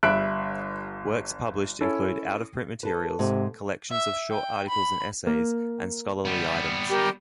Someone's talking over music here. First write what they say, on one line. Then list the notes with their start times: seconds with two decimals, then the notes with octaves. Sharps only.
Works published include out-of-print materials, collections of short articles and essays, and scholarly items.
0.03 G1 G2 E5 B5 F#6 D7
1.81 C#4 E4 A4
2.83 A4 B4
3.19 G#2 C3
3.91 E5
4.30 G5
4.69 B5
5.27 A#3
6.25 G3 B3
6.89 G4 A#4